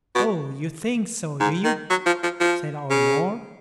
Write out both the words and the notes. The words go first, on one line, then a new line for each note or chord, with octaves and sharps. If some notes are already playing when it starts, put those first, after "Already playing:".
'Oh, you think so, do you?' said our Lord.
B2
G#2
D#3
F#3
F3
F3
F3
C#3